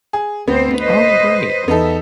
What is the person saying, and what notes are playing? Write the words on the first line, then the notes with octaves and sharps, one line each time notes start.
Oh, great.
G#4
D2 B3 C4 C5
B4 C5 D#5
E2 B3 D#4 A4 E5